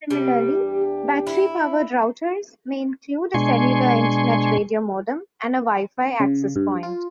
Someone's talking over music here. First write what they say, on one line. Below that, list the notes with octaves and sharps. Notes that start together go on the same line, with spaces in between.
Similarly, battery-powered routers may include a cellular Internet radiomodem and Wi-Fi access point.
C3 G3
E2 D4 G4
E4
B2 G#3 D4 G#5 C6 C#6
C#3
G2
F4